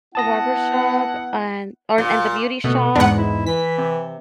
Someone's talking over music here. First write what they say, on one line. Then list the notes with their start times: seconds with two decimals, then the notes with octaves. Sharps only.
The Barbershop and or, and The Beauty Shop,
0.15 B3 E4 F#5 A5 D#6 A#6
1.98 A#2
2.64 B2 A3 B3
2.95 E2 G#2 G#3 B3 D4 F#5
3.17 E4
3.47 E3 B6
3.78 C3